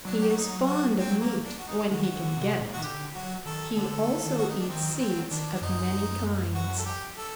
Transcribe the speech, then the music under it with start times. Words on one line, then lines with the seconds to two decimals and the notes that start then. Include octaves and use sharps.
He is fond of meat when he can get it. He also eats seeds of many kinds.
0.05 F#3 D4
0.22 G4
0.29 F#4
0.36 D#4
0.67 F#4
0.98 C4
1.21 A#3
1.44 D4
1.58 F#4
1.67 D#4
1.91 D#3 F#4
2.14 D3
2.37 C3
2.60 A#2
2.73 D#3 F#4
2.83 D3 G4
3.14 F#3 F#4
3.45 D#3 A4
3.76 D3 A4
4.23 D#3
4.38 F#4
4.49 D#4
4.59 D4
4.69 D#3 C4
4.93 D#3
5.00 F#3 C4
5.30 D#3 D4
5.54 D4
5.62 F#2 D#4
6.55 F#4
6.78 A4
6.85 G4
7.17 A4